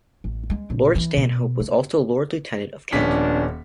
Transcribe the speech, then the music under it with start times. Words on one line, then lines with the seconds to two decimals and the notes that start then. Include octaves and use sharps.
Lord Stanhope was also Lord Lieutenant of Kent.
0.24 A1
0.50 G#3
0.70 A#1
0.95 E3
1.17 B2
1.60 A3
2.93 D#1 F3 B3 C#4 D4 B6